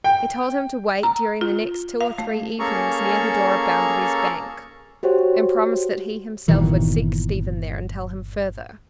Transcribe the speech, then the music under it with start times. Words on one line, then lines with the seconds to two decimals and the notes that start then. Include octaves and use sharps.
He told him to wait during the next two or three evenings near the door of Bounderby's bank, and promised that he himself would seek Stephen there and tell him further.
0.04 G5
1.03 A#5
1.41 F4
2.01 F5
2.18 A3
2.59 A#3 C#4 G#4 A4 A#5 C#6
5.03 F#4 G4 C5 C#5 F#5
6.48 G1 A#2 D#3 E3